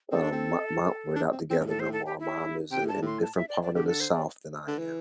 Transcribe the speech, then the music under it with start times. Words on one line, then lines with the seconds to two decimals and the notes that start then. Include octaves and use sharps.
Um, my my we're not together no more. Mom is i in a different part of the South than I am.
0.11 C4 A4
0.22 D4
0.32 C4
1.16 D4
1.32 C4
1.50 C4
1.60 G2
1.67 A2 A4
1.80 C5
1.93 A4
2.06 G4
2.20 E4
2.71 C3 G5
2.81 A2
2.88 G2 A5
3.02 A2 C6
3.23 A5
3.36 E5
3.49 D5
3.62 D5
3.75 D3 G4
3.88 A4
4.00 C5
4.13 D5
4.68 D3
4.79 E3